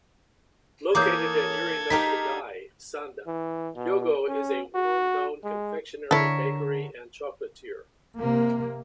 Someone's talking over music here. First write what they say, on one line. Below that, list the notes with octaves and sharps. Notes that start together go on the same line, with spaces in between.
Located in Yurinokidai, Sanda, Hyogo, is a well-known confectionery, bakery and chocolatier.
E3 A#3 A4 C#5 D6 D#6 G6 G#6
D#4 G4 F5 A#5 B6
E3
B2
C#4
F#4
G#3
D3 E4 A4 A#4 C#5 E5
C3 A#3